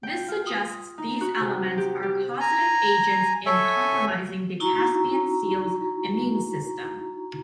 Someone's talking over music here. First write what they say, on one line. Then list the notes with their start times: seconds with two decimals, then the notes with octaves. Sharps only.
This suggests these elements are causative agents in compromising the Caspian seal's immune system.
0.03 G5
0.28 F4
0.47 D#6
0.98 D#4
1.21 F#4
1.40 C3
1.78 G4
2.03 G4
2.40 G#5 A#5
3.46 A4 C#5 E5 G#5
4.60 D#4 E4 F#4 A#5 C#6